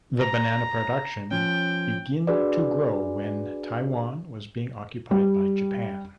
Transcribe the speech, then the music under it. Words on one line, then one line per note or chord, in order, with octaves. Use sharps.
The banana production begin to grow when Taiwan was being occupied by Japan.
A#5
F3 C#4 G5
D4 F#4 G#4 B4 D5
G3